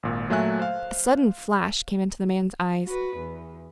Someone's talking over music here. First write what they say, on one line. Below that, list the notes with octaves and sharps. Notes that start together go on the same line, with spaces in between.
A sudden flash came into the man's eyes.
G#1 A#2
A#2 F#3 A3 E5 G#5 F#6
C5 F5
F#4 B4
E2